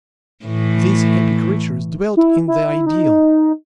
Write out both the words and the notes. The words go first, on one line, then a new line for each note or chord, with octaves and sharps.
These happy creatures dwelt in the ideal.
A2 E3 A3
E4
E4
D#4